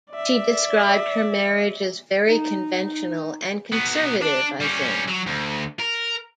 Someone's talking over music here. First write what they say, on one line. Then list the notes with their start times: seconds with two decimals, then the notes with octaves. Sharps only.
She described her marriage as very conventional and conservative, I think.
0.11 D5 E5
2.29 D#4
3.72 F#3 B3
4.22 D4
4.60 G3 C#4
5.08 F#3
5.26 D2
5.79 A#4